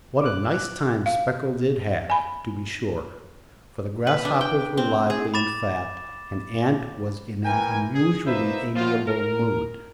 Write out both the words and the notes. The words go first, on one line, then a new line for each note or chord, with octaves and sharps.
What a nice time Speckle did have, to be sure; for the grasshoppers were lively and fat, and aunt was in an unusually amiable mood.
D6 F#6
F5
G#5 B5
B4
D4
G5
C4
G#4
B5 D6 A6 E7
E3 A#4 G5 G#5
G#4
A#3 D#4 B4 C5 E5
F#2 B2 F3 F4
A#4